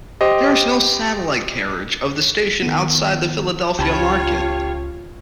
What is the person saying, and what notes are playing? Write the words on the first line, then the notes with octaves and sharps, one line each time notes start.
There is no satellite carriage of the station outside of the Philadelphia market.
G4 C5 D#5
D#3 B3
C#2 F4 G4 C#5 A5 B5